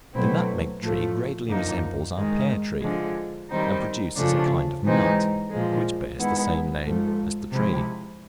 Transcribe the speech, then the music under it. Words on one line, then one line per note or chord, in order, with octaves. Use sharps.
The nutmeg tree greatly resembles our pear tree, and produces a kind of nut, which bears the same name as the tree.
B2 F#3 A3 C4 E4
A2 F3 A3
F#2 D3 F3 A#3 D#4
G#2 D#3 G#3
D3 F3 G#3
D#3 G3 C4 D#4
C#3 F3 A3 D4
G#2 E3 G#3 C4 D#4
A#2 F3 G#3
D#3 G#3 B3 E4
G#2 F3 A3
C3 F3 G#3 C4 E4